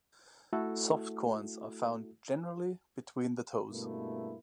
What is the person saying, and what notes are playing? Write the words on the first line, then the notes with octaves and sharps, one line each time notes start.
Soft corns are found generally between the toes.
A3 E4 F#4 A4
G2 B2 A3 A#3 E4